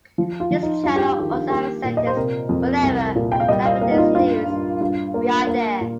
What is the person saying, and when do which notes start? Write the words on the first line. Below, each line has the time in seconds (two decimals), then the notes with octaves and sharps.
This channel also have sentence Whenever and wherever there is news, we are there.
0.18 F3
0.40 F4
0.51 F3
0.63 D#4
0.84 G2 F4
0.96 G4
1.08 F4
1.18 D#3 G4
1.31 F4
1.50 A#3 G4
1.84 A#2
1.97 D#5
2.07 C5
2.16 C3 A#4
2.49 F2
2.83 C2
3.15 A#2
3.32 G5
3.40 F5
3.48 G3 D#5
3.66 F5
3.81 A#3 F5
3.91 D#4
3.98 F4
4.15 G2 F4
4.48 G2
4.81 G2 F4
5.14 A#3
5.47 A#3
5.81 A#2